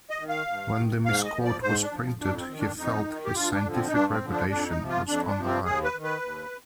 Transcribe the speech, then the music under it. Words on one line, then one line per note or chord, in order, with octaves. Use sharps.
When the misquote was printed, he felt his scientific reputation was on the line.
D#5
D#3
F5
G2
D#3
G#2 F5
D#5
F3
D5
G#2 C5
D4
F3
F2 D4
C4
D#3
D4
F2 D#4
D#3
G4
G2 F4
D4
D3 F3
C4
D#4
G2 D4
C4
D3 F3
D4
F2 D4
D#4
C3 F3
F4
F2 D4
D4
C3 F3
C4
D#2 G#4
B4
D#3
B4
D#2